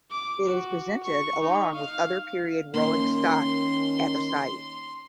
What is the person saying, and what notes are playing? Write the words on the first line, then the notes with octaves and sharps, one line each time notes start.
It is presented along with other period rolling stock at the site.
D6
F#4
C#6
D#4
F5
D#3 A#3 C#4 C6